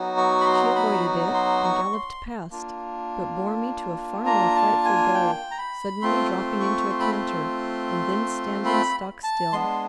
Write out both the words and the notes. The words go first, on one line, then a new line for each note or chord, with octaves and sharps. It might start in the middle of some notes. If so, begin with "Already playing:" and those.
She avoided it, and galloped past, but bore me to a far more frightful goal, suddenly dropping into a canter, and then standing stock-still.
Already playing: F#3 B3 D#4 F#4
C#6
B5
C6
B5
C6
C#6
C6
A#3 D4 F4
A#5
A5
G#5
G5
A#5
B5
A3 C4 F4 C6
C6
C#6
C6
B5
C6
B5
A5
G#3 B3 D4 C6